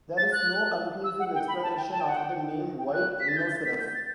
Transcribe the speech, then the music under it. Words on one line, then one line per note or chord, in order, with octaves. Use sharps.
There is no conclusive explanation of the name white rhinoceros.
A6
F#6
E6
F#5
G5
B5
A5
G5
A5
G5
F#5
G5
G5
F#6
B6
A6
G6
A6
B6
G6
A6